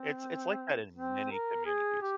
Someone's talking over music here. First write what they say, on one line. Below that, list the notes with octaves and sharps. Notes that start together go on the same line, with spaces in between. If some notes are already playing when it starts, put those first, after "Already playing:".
it's it's like that in many communities.
Already playing: C4
C4
A#4
G#4
G4